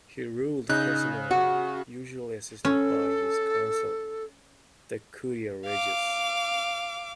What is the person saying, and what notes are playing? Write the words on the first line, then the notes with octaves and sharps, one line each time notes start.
He ruled personally, usually assisted by his Council, the Curia Regis.
C#3 D#4 F#6
F#4
C#4 A4
F5 D6